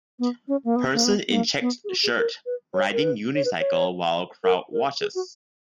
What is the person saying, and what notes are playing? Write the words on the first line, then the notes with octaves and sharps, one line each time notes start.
Person in checked shirt riding unicycle while crowd watches.
B3
C#4
A#3
B3
A#3
B3
B3
A#3
B3
G#4
F#4
G#4
A#4
B4
C#5
A#4
B4
C#5
B4
C#5
A#4
A#4
G#4
F#4